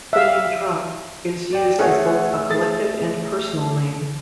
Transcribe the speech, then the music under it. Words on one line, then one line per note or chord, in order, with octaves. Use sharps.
The name "Drakh" is used as both a collective and personal name.
E5 F5
D5 G5
A3 C#4 G#4 F#5 G#5
G#4 A6